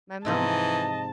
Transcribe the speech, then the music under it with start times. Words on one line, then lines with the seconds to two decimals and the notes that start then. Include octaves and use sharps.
my mom,
0.25 G#2 C3 E3 F3 D#5 A5